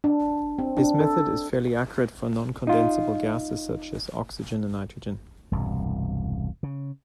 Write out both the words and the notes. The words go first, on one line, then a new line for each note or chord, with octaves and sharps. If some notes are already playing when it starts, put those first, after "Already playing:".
This method is fairly accurate for non-condensible gases, such as oxygen and nitrogen.
D4
C4
D4
A4
D#4 F4
E1 C2 G2
C#3